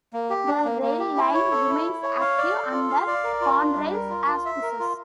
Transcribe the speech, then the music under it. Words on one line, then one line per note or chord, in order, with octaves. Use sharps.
The rail line remains active under Conrail's auspices.
A#3
G4
D4
A#3
A#3
G4
E4
C#5
A4
E4
E4
C#5
F5
D5
A4
F4
F5
D5
A#4
F4
D4
G3
A#4
F4
F4
E5
A#4
F4